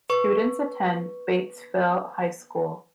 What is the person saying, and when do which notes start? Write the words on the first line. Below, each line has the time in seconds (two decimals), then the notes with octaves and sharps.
Students attend Batesville High School.
0.10 B4 C#6